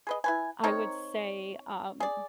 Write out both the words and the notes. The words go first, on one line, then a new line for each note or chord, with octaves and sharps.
I would say, um,
G#4 B4 D#5
E4 B4 G#5
C4 D#4 A#4 C#5
G#4 D5